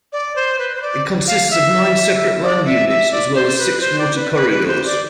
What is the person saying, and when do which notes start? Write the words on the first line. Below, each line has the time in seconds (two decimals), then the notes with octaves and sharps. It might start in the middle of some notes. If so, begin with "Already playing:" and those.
It consists of nine separate land units as well as six water corridors.
0.13 D5
0.36 C5
0.59 B4
0.75 C5
0.82 D5
1.27 F5
1.51 E5
2.44 D5
2.66 E5
2.89 E5
3.12 D5
3.35 C5
3.58 B4
3.81 C5
3.98 D5
4.16 B4
4.33 B4
4.50 B4
4.68 C5
4.86 D5